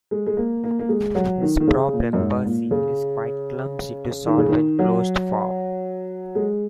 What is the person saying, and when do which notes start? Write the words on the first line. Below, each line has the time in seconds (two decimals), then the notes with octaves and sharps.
This problem "per se" is quite clumsy to solve in closed form.
0.11 G#3
0.27 G#3
0.37 A#3
0.64 A#3
0.79 A#3
0.89 G#3
1.15 F#3
1.42 D#3
1.60 D#3
1.68 C#3
1.93 A#2
2.13 F#2
2.19 G#2
2.45 A#2
2.71 C#3
4.27 D#3
4.38 C#3
4.48 D#3
4.79 F#3
6.35 G#3